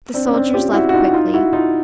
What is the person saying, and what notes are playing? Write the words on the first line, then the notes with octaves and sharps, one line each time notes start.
The soldiers left quickly.
C4 D4
C#4
C4 D4
F4 G4
E4 F#4
F#4
D#4 F4
D#4 F4
E4 F#4
D#4 F4